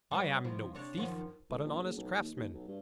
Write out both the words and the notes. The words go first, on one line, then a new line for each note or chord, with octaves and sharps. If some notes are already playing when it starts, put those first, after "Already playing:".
I am no thief, but an honest craftsman.
G3 B3 C#4
C3 F3 E4
C3 D4 C#5
F#2 D#3 F3
E1
A#1
F#1
B1
D#2
D#2
B1
G2